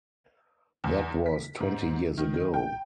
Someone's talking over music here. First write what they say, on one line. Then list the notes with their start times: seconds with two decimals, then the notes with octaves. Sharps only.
That was twenty years ago.
0.84 E2
1.26 B6
1.60 G#2
2.17 D#3
2.54 G5